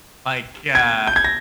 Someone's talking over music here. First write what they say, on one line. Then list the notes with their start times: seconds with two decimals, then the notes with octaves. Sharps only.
like, uh,
0.75 G#6
1.07 G6
1.16 G#6
1.24 A#6